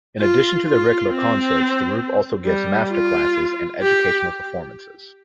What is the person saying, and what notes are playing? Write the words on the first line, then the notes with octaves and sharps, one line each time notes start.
In addition to their regular concerts, the group also gives masterclasses and educational performances.
F4
F4
C4
G3
F4
G4